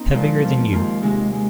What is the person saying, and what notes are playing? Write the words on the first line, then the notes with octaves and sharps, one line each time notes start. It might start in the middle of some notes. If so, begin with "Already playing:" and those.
Heavier than you.
Already playing: A#3 C4 D#4
A#2 F3 G#3
F2 F3 C4
D#2 D#3 G#3 F4
C3 D#3 G#3 D#4
G#3